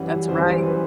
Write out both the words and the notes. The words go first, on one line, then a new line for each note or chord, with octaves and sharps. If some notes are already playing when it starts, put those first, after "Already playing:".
That's right.
Already playing: F#2 E3 G3 F#5
F#2 E3 G3 C5
B4